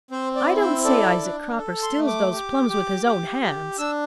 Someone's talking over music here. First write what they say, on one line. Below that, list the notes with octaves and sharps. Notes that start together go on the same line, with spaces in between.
I don't say Isaac Cropper steals those plums with his own hands.
C4 C5
D5
E4
C5
A4 D5
D4
A4
C6
A3
D6
G4
G4
G4
G4
D4 E6